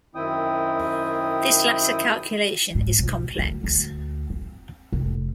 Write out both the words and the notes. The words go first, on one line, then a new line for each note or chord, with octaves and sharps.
This latter calculation is complex.
F#2 D#3 C4 E4 G5 D#6
G#2
B1
D2
D2
C4
F1